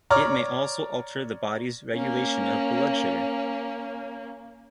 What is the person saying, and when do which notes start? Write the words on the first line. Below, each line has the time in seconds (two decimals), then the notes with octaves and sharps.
It may also alter the body's regulation of blood sugar.
0.10 C#5 D5 A#5 F6
1.93 A#3 C#4